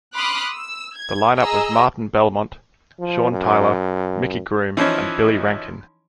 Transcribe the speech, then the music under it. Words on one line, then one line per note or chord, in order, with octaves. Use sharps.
The line-up was Martin Belmont, Sean Tyla, Micky Groome and Billy Rankin.
B5 C6 D6 D#6 F6 F#6
E6
G#6
G#4 D#5 A#5 E6
F3
F#2
E3 F3 C#4 D#4